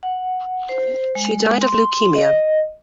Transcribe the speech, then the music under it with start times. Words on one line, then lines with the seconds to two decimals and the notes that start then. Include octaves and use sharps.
She died of leukemia.
0.03 F#5
0.69 C5
1.15 G#3
1.62 C6
2.15 D#5